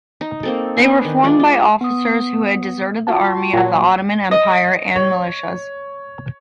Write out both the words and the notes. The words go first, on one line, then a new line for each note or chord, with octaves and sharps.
They were formed by officers who had deserted the Army of the Ottoman Empire and militias.
D#4
A#3 C4 A4
B3 D4 C5 G#5
D#3
G#3 D4 F4 D5
F4
B3 D#6
F4 F#4 A5
A#2 F#3
D#5
C#5